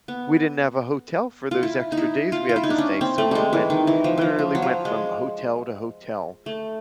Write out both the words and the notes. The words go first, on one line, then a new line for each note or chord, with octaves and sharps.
we didn't have a hotel for those extra days we had to stay, so we went literally went from hotel to hotel,
B3
F4
E4
D#4
E4
F4
F4
E4
D#4
D4
C#4
C4
A3
G3 G#3
E3
D#3
E3
F3
E3 F3
F3
F#3
F3
G#3
A3